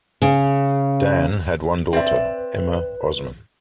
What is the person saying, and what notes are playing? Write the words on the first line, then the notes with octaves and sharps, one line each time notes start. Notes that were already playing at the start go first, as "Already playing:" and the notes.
Dan had one daughter, Emma Osman.
C#3
C4 B4 D5 E5